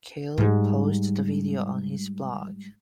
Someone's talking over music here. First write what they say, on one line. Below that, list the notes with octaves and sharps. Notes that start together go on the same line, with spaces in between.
Kele posted the video on his blog.
G#2 G3